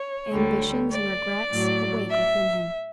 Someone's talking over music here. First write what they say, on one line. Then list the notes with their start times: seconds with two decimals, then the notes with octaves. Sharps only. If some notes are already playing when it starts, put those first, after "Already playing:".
Ambitions and regrets awake within him.
Already playing: C#5
0.32 D2 D3 G3
0.91 D5
1.51 A2 F#3
2.11 E5